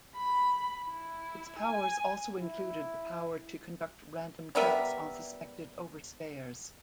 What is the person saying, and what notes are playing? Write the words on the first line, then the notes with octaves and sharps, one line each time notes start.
Its powers also included the power to conduct random checks on suspected overstayers.
B5
E4
G#5
E4
G3 B3 A#4 E5